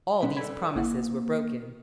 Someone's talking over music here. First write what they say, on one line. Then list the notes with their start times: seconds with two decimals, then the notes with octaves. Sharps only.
All these promises were broken.
0.23 B2 G3 C#4 D#4 B4
0.37 A4 B4 D5 B5 G#6 B6
0.76 G#1 A#3 E4 F#5